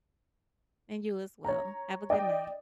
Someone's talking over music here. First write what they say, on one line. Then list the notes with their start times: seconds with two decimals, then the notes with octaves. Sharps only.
And you, as well. Have a good night.
1.45 C#5 A#5
2.10 D5 D#5 G5